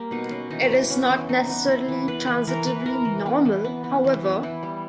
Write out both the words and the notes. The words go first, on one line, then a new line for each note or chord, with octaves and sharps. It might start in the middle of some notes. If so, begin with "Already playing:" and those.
It is not necessarily transitively normal, however.
Already playing: G3 A#3 G4
B2 D#4
B2 C#4
E3 D#4
E3
B3 C#4
E3
E3 D#4
B3
B3 E4
E3
B3 B4
E3 B4
E3 A#4
E3 B4
E3 A#4
E3
B3
E3
B3
B3
E3
B3
E3 E4
G3